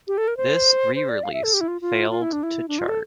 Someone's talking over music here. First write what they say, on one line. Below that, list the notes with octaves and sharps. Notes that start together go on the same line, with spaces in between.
This re-release failed to chart.
G4
A4
A#4
C5
C5
D5
F5
E5
A4
G4
E4
F4
F4
F4
E4
D4
E4
D4
F4
A4